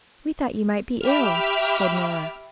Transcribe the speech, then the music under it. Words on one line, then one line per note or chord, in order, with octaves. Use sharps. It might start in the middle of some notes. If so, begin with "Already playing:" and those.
"We thought you might be ill," said Nora.
G4 E5 B5 D6 F6